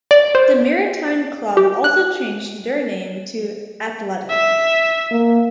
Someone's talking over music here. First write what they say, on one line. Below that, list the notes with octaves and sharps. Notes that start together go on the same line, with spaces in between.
The Maritime club also changed their name to ‘Athletic’.
D5
C5
G4
F#6
E5
A#3